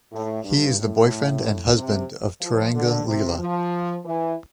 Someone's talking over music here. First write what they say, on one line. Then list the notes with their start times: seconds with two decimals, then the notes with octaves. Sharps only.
He is the boyfriend and husband of Turanga Leela.
0.12 A2
0.45 G2
0.77 A2
1.75 C3
2.40 F3
2.73 D3
3.06 C3
3.39 F3
4.04 E3